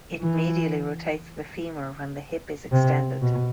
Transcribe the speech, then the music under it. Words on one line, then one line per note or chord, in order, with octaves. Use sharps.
It medially rotates the femur when the hip is extended.
E3
C3
B2